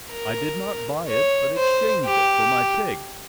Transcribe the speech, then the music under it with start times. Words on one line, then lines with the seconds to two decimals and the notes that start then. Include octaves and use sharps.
"I did not buy it, but exchanged it for my pig."
0.11 A#4
1.08 C#5
1.57 C5
2.05 G4